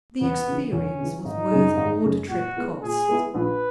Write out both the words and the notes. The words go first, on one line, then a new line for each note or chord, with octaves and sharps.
"The experience was worth all the trip cost."
E2 B3
C#3 E3
E2 C#4
C#3 E3
G#1 D#4
F#2 C#3 G#3
G#1
F#2 C#3 G#3
A#2 F#4
G#3 B3 E4
A#2 G#4
G#3 B3 E4
A#1 B4